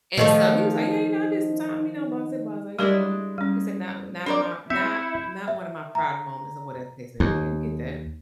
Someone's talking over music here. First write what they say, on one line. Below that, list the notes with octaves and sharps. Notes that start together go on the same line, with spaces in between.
and so he was, like, "Yeah, you know, I did some time, you know," blasé, blasé, you know. He said, "Not not of my not not one of my prouder moments or whatever case may be." I get that.
D#3 F3 A3
G3 G#3 D4 E4 G4 A#4
G3 C#4
C4 D4 A#4 D5
C4 E4 E5 G6 C#7 E7
E5
A#5
D#2